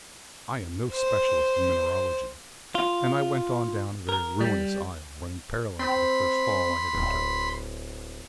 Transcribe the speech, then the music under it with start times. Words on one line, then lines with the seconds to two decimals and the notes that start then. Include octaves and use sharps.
I am no specialist in mineralogy, and I went on down a very ruinous aisle running parallel to the first hall I had entered.
0.91 C5
2.75 F4
4.09 A#4
4.41 G3
5.79 C4 B5 C6
6.95 D1